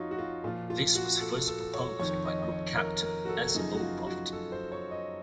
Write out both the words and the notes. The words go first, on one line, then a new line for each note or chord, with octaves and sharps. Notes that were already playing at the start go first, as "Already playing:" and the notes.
This was first proposed by Group Captain S. O. Bufton.
Already playing: F2 F3 D#4 F4 F#4 C#5
F#4
F4
A#2 F3 F4
F4
F#4
A4
A4
C#5
F2 D#3 C#5
D#5
D#5
C#5
A#4
A#4
F#4
A4
F#2 C#3 F3 D#4
F#4
F4
F#4
A4
C5
C#5
D#5